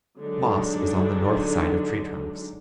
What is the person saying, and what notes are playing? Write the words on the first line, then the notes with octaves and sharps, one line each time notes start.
Moss is on the north side of tree-trunks.
D3 F#3 G#3 D4 D#4